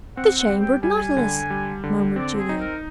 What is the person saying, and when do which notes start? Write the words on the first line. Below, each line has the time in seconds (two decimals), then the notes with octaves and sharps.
"The Chambered Nautilus," murmured Julia.
0.17 C4 F#5
0.39 F#5
0.50 G3
0.61 G5
0.83 G3 G#5
1.17 D3
1.50 G3
1.84 D3
2.16 C4 D5
2.38 G#4
2.49 D#4
2.60 A#4